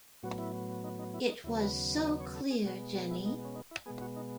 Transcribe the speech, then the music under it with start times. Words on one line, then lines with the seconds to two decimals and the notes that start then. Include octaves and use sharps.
It was so clear, Jenny.
0.23 A2 F#3 B3 F#4
0.38 E4
0.84 D#4
0.99 D#4
1.14 E4
1.29 D#4
1.44 D#2 C#3 F#3 B3 E4
1.59 B4
2.04 D#5
2.20 C#5
2.35 A4
2.50 G#4
2.65 B2 G#3 B3 F#4
2.96 F#4
3.11 E4
3.26 D#4
3.45 C#4
3.55 D#4
3.71 E4
3.86 B2 G#3 B3 G#4
4.01 F#4
4.16 D#4